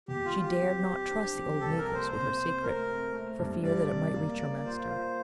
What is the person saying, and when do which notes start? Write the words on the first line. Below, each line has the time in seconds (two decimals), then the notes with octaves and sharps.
She dared not trust the old Negress with her secret, for fear that it might reach her master.
0.08 E2 G4
0.25 F4
0.34 G3
0.42 G4
0.59 C4
0.85 C4
1.10 D4
1.35 F2
1.60 C2 A4
1.77 A#4
1.85 A#3
1.94 C5
2.12 C3 C5
2.37 C3
2.62 A3 A#4
2.88 C4
3.13 A3
3.39 G2
3.64 G3 D5
3.89 C3
4.15 A#3
4.40 A#3
4.65 F4 C5
4.90 F4